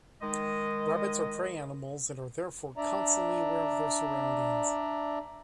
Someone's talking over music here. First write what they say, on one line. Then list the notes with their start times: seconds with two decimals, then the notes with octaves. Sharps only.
Rabbits are prey animals and are therefore constantly aware of their surroundings.
0.22 D#3 G#3 D#5
2.77 D4 D5 E5 A#5